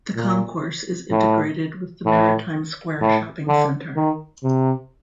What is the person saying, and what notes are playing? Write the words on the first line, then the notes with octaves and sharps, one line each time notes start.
The concourse is integrated with the Maritime Square shopping centre.
A#2
A2
A2
A2
D3
D#3
C3